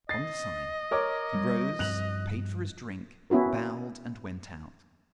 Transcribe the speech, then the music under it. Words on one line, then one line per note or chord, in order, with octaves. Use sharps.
On the sign he rose, paid for his drink, bowed, and went out.
D#5 A6 C7
A#4 C#5 D6
G3
G2 F3 C4 F#6 F7 F#7
B3 C#4 E4 F#4 A#4